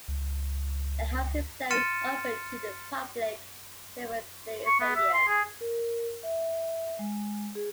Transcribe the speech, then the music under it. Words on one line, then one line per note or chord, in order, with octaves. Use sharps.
The house itself is open to the public several days a year.
C#2
C6 F6 A6 C#7 D#7 E7
C#6
B3
E5
C6
G#4
A#4
E5
G#3
G#4